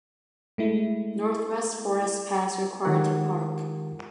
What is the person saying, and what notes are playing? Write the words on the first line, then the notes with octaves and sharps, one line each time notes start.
Northwest Forest Pass required to park.
G#3 A3 E4
D#3 G#3 F4 G4 A#4 F#5